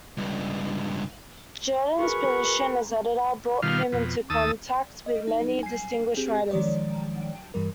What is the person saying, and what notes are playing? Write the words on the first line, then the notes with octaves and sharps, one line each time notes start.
Jerdan's position as editor brought him into contact with many distinguished writers.
C#2 G2
F#4 G#4 A#4 B4 C#6
B2 D#3 G3 F4 F5
F2 B2
D#2 A5 D#6 E6
D#5
D#4
G#5 C7
C4 G4 G#4
D#3 F3 G#3 C#5 D5
G2 E3 G3 A#4